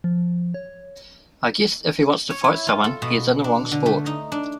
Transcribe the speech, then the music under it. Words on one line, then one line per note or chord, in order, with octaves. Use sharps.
I guess if he wants to fight someone, he is in the wrong sport.
F3
C#5
C#5
E4
F4
A4
B2
D4
D3
A3
D#4
D4